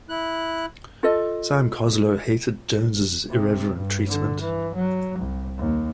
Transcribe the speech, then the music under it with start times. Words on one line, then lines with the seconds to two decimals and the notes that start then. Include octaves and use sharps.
Sam Coslow hated Jones' irreverent treatment.
0.09 E4 F#6
1.03 F4 A4 D#5
3.30 C3
3.77 G2
4.08 D3
4.41 E3
4.75 F#3
5.19 C2
5.58 D#2